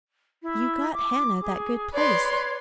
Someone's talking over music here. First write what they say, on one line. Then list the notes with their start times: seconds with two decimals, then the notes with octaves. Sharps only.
You got Hannah that good place.
0.42 E4
0.93 D6
1.41 G#4
1.94 B4 C#5 D5 C6